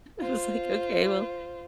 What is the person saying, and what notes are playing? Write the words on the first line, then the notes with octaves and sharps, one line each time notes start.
I was like, “Okay, well.”
F4 C5